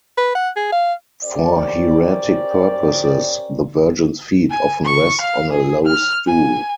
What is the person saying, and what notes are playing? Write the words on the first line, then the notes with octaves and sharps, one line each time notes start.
For hieratic purposes, the Virgin's feet often rest on a low stool.
B4
F#5
G#4
F5
C#4 G4 A#4 C5 D5
G#5
C#6
F5
G#4
F6
G#5